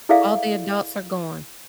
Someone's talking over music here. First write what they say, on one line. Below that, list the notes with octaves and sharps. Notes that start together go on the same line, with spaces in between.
All the adults are gone.
E4 G#4 A4 D5 E5 F5